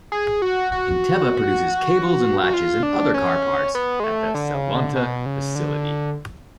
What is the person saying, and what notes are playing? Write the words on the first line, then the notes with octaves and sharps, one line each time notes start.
Inteva produces cables and latches and other car parts at the Salonta facility.
G#4
F#4
F#4
F#4
F4
D4
C#4
B3
G#3
A3
D3
C#3
D3
B2
C#3
D3